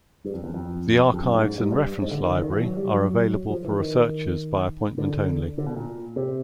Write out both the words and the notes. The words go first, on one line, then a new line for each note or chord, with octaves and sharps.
The archives and reference library are available for researchers by appointment only.
G2
F2
E2
F2
F2
F#2
G#2
G#2
G2
G2
G#2
D3
D#3
D3
D#3
E3
F#3
G3
F#3
F3
E3
D#3
D3
D3
B2
A#2
C3